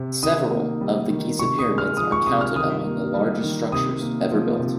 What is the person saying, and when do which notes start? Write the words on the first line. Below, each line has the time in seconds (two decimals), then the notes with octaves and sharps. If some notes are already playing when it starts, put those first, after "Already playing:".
Several of the Giza pyramids are counted among the largest structures ever built.
Already playing: C3
0.23 D#3 D#6
0.52 A#3
0.81 G3
1.10 D#3
1.39 C3 C#6
1.59 D#6
1.69 G#3
1.78 F6
1.97 F3 D#6
2.12 C#6
2.27 C3 D#6
2.41 F6
2.56 D#3 D#6
2.85 A#3
3.14 G3
3.44 D#3
3.72 C3 D#6
4.02 A#3
4.31 F3
4.59 C3